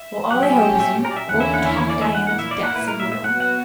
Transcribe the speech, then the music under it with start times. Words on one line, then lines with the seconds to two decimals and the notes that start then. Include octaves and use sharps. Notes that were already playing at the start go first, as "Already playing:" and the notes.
"Well, all I hope is you won't talk Diana to death," said Marilla.
Already playing: E5
0.31 A#2 F#3 C#4 G4 F#5
0.43 E5
0.55 E5
0.80 E5
1.05 A#4
1.11 D5
1.16 E5
1.28 E2 D3 A#3 C#4 E4 F#5
1.40 E5
1.54 F#5
1.66 E5
1.77 C#5
1.90 D5
2.02 E5
2.15 F#5
2.27 A#2 A#3 E4 F#5
2.39 E5
2.51 D5
2.63 F#5
2.76 B4
2.88 A#4
3.00 E5
3.12 E5
3.24 F#3 B3 F#4 F#5
3.40 F#5